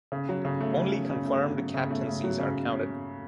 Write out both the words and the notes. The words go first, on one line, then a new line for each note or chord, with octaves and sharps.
Only confirmed captaincies are counted.
C#3
F#3
C#3
A3
C#3
F#3
C#3
A3
C#3
F#3
C#3
A3
C#3
F#3
C#3